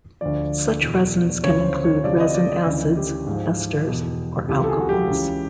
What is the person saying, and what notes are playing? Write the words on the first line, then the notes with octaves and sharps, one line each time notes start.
Such resins can include resin acids, esters, or alcohols.
D2 D3 F3 D5
E2 B2
D2 C#3 F3 C#5
C5
C#5
D2 C3 F3 D5
D#5
D5
D2 C#3 E3
G4
G#2 F3
E2 B2
C#2 C3 E3 G4
A4
G#4
F#4
G4
C#2 C#3 E3